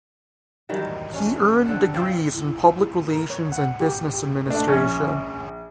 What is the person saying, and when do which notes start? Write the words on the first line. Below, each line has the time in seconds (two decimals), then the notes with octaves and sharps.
He earned degrees in public relations and business administration.
0.69 D#3 E3 F#3 G3
1.13 C#4 D4
1.27 E3
1.65 D3 C4 A4 F#5
1.94 C4 F4 E5
2.34 E4
3.12 A#4
3.30 C#5
3.52 F#5
3.80 G4
4.14 G4
4.47 A3 D4
4.68 A#1 C#4